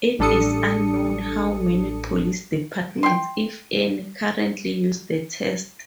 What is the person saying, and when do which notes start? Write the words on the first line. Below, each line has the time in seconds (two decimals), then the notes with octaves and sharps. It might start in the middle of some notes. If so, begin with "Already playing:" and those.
It is unknown how many police departments, if any, currently use the test.
0.19 A1 G3 D4 A4 D#6 C#7
3.03 G5 C6